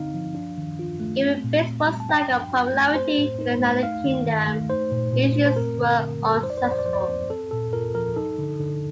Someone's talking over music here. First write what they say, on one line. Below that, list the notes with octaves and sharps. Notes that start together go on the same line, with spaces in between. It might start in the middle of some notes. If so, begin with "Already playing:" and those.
Given baseball's lack of popularity in the United Kingdom, the issues were unsuccessful.
Already playing: D3 C4 D#4 F5
F3
D4
D#3
F4
A3
C4
A#2
A#2
G3
A5
D4 G5
F3
F4
A3
C4 C5
A2
D#4
A3
D#4 F5
D#3
D#3
A3
D#4 C5
A#2
A#2
A3
C5
C4 A#4
D3
D3
G3
D#4 C5
D5
C5
F3 D5
C5
D5
F3 C5
D5
C5
C4
C4 A4
A#2 A4
F4 A#4
F3 A#4
D#4 A4
D3
D3